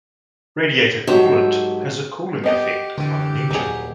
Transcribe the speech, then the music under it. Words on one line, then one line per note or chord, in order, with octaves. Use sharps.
Radiator coolant has a cooling effect on an Engine.
G#2 F#3 G4 A4 C#5 E5
B3 G4 D#5
D3 E3 G4
D#1 D#2 F#3 G#4